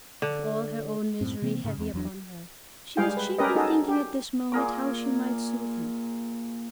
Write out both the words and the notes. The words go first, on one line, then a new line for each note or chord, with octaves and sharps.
With all her own misery heavy upon her, she was chiefly thinking at this moment how she might soothe him.
D3
F#2 A2 C4
C3 E3 A#3 C4
G#2 C#3
E2 C4
E2 F#3 D4
G3 G#3 G#4 F5 G5
B4
C#4 G4 A#4 B4 D#5
D#4 F#4 G#4 A4 D#5
G4
A#2 G#4 A#4 D6